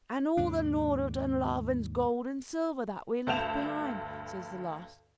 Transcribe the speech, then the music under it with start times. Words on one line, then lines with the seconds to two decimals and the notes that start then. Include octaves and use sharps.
"And all the Lord of Dunlavin's gold and silver that we left behind!" says the last.
0.37 D#2 G#2 C#3 D4
3.27 D2 G2 A5 G6 E7 F7